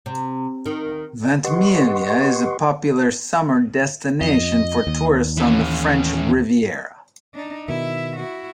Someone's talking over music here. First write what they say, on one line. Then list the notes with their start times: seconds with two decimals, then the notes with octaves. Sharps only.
Ventimiglia is a popular summer destination for tourists on the French Riviera.
0.06 C3
0.66 D#3
1.44 G4 B4 D#5 F#5 C6 C#6
4.21 F2 D#5
4.87 D#2
5.37 E3 C#4
7.34 D4 D#4
7.68 B2 D#3 E4 E5
8.17 E4 F#4